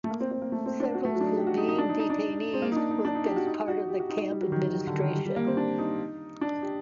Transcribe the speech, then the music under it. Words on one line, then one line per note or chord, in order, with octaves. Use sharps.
Several Slovene detainees worked as part of the camp administration.
A3
A#3
C4
C4
A#3
A3
C4
D4
F#4
A3
F#3
D4
D#4
G4
F#4
D#4
D#4
D4
D#4
D#4
D4
C4
A#3
D#4
D4
D#4
D4
D#4
G4
F#4
D#4
F#4
G4
F#4
D#4
D#4
G3
F#3
D#3
D#3
F#3
D3
D#3
G3
G3
A#3
C4
D4
D#4
D4
G4